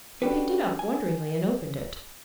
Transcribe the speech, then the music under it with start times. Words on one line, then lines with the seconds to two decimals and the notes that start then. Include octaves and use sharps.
He picked it up, wonderingly, and opened it.
0.22 C#4 D4 F#4 G4 A4 B4
0.79 G#5